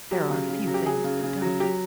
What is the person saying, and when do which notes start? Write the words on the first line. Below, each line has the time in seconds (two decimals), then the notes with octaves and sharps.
There are few things that don't.
0.11 F#3 G4
0.30 C#3
0.48 C#3
0.67 F#3
0.74 G4
0.86 F#3 G#4
1.04 C#3
1.23 C#3
1.42 F#3
1.60 F#3 G4